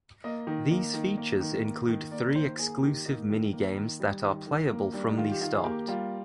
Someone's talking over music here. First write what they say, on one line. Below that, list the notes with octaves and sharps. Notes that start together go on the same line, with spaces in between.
These features include three exclusive minigames that are playable from the start.
A#3 D#5
D#3
A#3
D#3
A#3
D#3
A#3
D#3
A#3 D5
D#3 C5
A#3 G#4
D#3 G4
A#3 D#4
D#3
A#3
D#3
G3
D#3
D#3
A#3
G3 D4
D#4
D#3 F4
G4
D#3 F4
G#4
A#3 G4
G3 F4